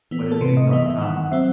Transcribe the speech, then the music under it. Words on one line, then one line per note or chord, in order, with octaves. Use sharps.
But it did not come.
E3 B3
A4
C3 B4
D#5
E3 B3 D#5
E5
D#3 F#5
F#5
F#3 C4 E5